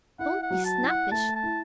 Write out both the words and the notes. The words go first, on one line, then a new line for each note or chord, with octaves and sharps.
Don't be snappish.
E4 F#5
F#5
F#3
A5
E4
F#5
A3 A5
A5
E4